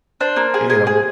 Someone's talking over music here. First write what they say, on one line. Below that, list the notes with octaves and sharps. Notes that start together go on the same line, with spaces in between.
you know,
D4 C5
A#3
G#4
G#4
G#4